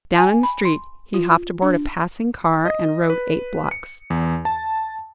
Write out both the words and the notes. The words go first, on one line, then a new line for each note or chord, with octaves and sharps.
Down in the street he hopped aboard a passing car and rode eight blocks.
G#5
B5
C6
F4
D4
D#5
B4
C#7
E2
A5